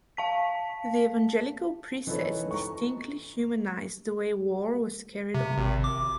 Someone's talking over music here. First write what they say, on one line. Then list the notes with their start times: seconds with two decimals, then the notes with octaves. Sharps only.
The Evangelical precepts distinctly humanized the way war was carried on.
0.17 F5 A5 B6
2.07 E3 D#4 F4 A4 B4 C#5
2.51 A#5 C#6
5.35 C3
5.58 G#1
5.84 D6